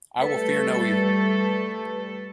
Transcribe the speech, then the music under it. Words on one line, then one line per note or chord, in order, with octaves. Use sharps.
I will fear no evil.
G3 A3 A4 B4